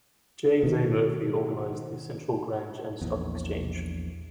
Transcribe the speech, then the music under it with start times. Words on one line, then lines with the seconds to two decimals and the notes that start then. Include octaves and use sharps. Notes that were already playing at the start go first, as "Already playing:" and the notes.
James A. Murphy organized the Central Grange and Stock Exchange.
0.63 B2 D#3
3.02 A#1 E2